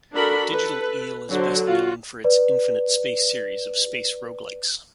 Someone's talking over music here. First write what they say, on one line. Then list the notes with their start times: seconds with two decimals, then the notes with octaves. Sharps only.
Digital Eel is best known for its Infinite Space series of space roguelikes.
0.13 D4 F#4 A4 A#4 B5
0.51 A4 B4
1.30 D3 F#3 C5
1.63 F4 F#4
2.24 B4 D5